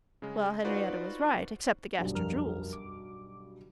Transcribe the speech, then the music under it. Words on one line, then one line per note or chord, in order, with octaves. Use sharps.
Well, Henriette was right--except the Gaster jewels.
C#3 G#3
D#4 F4 F#4 B4 C5 D5
B1 G2
F2 A#4 F6
D6